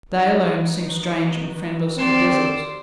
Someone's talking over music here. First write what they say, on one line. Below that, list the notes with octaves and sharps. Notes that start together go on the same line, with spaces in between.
They alone seemed strange and friendless, and desolate.
D#4 F#4 B4
C4 F#4 G4 A#4 D5 C6 E7